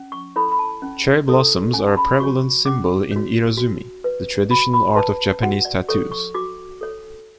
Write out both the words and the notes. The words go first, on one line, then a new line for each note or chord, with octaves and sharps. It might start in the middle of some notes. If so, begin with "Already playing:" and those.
Cherry blossoms are a prevalent symbol in Irezumi, the traditional art of Japanese tattoos.
Already playing: C#4
C#6
E4 A4 C#5 B5
B5
A5
C#4
E4 A4 C#5
C#4 G#5
A5
B5
F#4 C#5 C#6
C#4 D6
F#4 C#5
F#4
B4
F#4 B5
B5
B4 A5
F#4 F#5
D5
A4 C#5 C#6
C#6
F#4 D6
A4 C#5